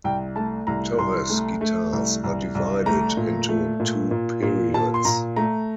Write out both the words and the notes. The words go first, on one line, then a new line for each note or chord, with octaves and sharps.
Torres guitars are divided into two periods.
C2 G5
A3 A5
C2 A#5
C2 C6
A3
A3
C2
C2
C2
A3 A#5
A#2
A3
A#2
A#2
A#2
A#2 A5
C6
A#2 A#5
A3 A#5